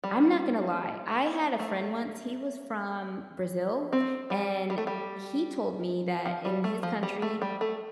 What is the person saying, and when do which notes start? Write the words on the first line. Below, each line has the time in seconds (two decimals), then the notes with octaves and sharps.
I'm not gonna lie, I had a friend once, he was from Brazil, and he told me that in his country,
0.04 G3
1.59 A3
3.93 C4
4.30 G3
4.70 G3
4.78 A3
4.87 G3
6.26 F3
6.45 G3
6.64 A3
6.83 F3
7.03 G3
7.22 A3
7.42 G3
7.61 A3